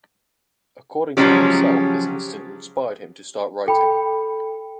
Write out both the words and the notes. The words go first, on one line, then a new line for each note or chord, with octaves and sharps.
According to himself this incident inspired him to start writing.
C#3 F3 F#3 G#3 C#4 G4
A4 G5 B5